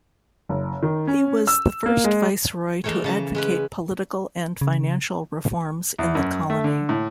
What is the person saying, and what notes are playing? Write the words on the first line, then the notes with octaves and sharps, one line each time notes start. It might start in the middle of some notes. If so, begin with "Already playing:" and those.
He was the first viceroy to advocate political and financial reforms in the colony.
F#1
D#3
C#4
E6
A#3
G#3
E3 G#3 A3 A#4 C#5
C#3 A5 A#5
G#3 C#4 B4
C#3
E2
F#2
A3
D3
A2